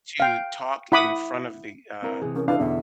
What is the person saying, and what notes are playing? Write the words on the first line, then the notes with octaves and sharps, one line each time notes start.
to talk in front of the, uh
F5 G5
E4 F#5 B5 D6 D#6
C4 E4 A#4
C3 E3 G#4
C#4 A#4
D4 E4 A4 B4 F5
E2 B2 D3 E5